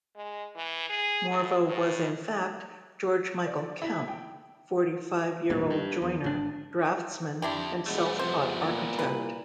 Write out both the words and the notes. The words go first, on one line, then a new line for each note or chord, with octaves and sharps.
Morvo was in fact George Meikle Kemp, forty-five-year-old joiner, draftsman, and self-taught architect.
G#3
E3
G#4
A2
A2
D5
E4
G5
G#1 E2 G2 A#2
G2
E2
G#1 D4
F2 D4 E4 G4
E1 G#3 A3 B3
F2 C3 C5
A#2
C2 B4